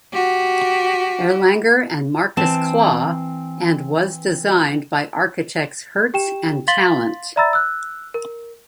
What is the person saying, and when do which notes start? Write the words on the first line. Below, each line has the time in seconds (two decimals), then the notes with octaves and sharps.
Erlanger and Marcus Klaw, and was designed by architects Herts and Tallant.
0.13 F#4 G4
2.37 E3 C4 A5
6.14 G4 G5 E7
6.68 F5 C6 A6 B6 F#7 G7
7.36 D5 E5 A#5 B5 E6 A6
7.53 E6 F#6
8.14 A#4